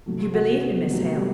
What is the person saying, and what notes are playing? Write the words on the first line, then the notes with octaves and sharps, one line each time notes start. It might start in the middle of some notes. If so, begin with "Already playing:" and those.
You believe me, Miss Hale?'
C3 F#3 A3
F#4
B3
C3 F#3 A3
G3